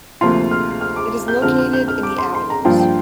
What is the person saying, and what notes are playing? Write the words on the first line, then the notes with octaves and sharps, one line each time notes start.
It is located in The Avenues.
D2 C3 F3 A#3 F4 C6
F6
F6
D6
G6
F2 D3 F3 C4 F6
F6
G6
F6
D6
C6
C6
A#5
G2 F3 A#3 D4 F4 G5
G5